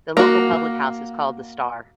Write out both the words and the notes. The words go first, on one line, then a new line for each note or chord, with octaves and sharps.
The local public house is called The Star.
A#3 F#4